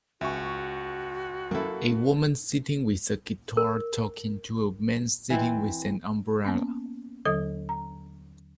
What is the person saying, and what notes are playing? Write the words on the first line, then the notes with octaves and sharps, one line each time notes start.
A woman sitting with a guitar talking to a man sitting with an umbrella.
C#2 F#4 E5 G#5 C#6
F#2 A#3 E4 A4
A#4
E3 C4
A#3 B3 C#4
D#2 D3 F#3 A4 D#5 D#6
A#5